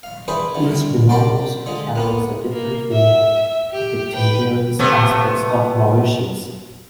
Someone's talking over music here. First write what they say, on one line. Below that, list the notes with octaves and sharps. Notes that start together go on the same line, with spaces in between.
Each denomination carries a different vignette, depicting various aspects of Mauritius.
F5
E3 D4 G4 G#4 B4 C5
C2 D3
D4 G4 A#4 C5 D5 G5
D3 F3 G#3
A#3 B3 F4
A#3
E5
G4
B4 G5
C3 A3 B3